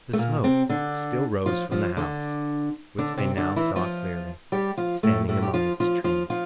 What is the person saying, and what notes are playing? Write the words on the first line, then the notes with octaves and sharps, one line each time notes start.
The smoke still rose from the house, which they now saw clearly, standing among its trees.
A3
A#2 A#3
C3 C4
D3 D4
F3 F4
F3 F4
D3 D4
D3 D4
C3 C4
D3 D4
E3 E4
F3 F4
G3 G4
F3 F4
A2 A3
A2 A3
G4
F3 F4
F3 F4
F3 F4
F3 F4